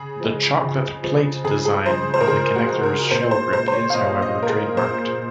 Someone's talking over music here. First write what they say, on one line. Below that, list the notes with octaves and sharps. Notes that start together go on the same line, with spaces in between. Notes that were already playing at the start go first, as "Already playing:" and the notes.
The "chocolate plate" design of the connector's shell grip is, however, trademarked.
Already playing: C#3 G#4
F3 G#3
C#3
F3 G#3
C#3 G#4
G#4
F3 G#3 C5
C5
A#4
C#3 G#4
F#4
F3 G#3
A#4
A#2 C5
C5
G#3 C5
C5
C#5
F5
A#2 D#5
D#5
G#3
A#4
G#4
A#2 C5